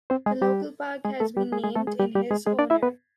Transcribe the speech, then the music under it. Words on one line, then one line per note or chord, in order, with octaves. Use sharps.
A local park has been named in his honour.
C4 C5
G#3 G#4
G3 G4
G#3 G#4
A3 A4
G3 G4
G#3 G#4
G#3 G#4
A3 A4
G#3 G#4
G3 G4
G3 G4
G#3 G#4
G#3 G#4
D4 D5
E4 E5
B3 B4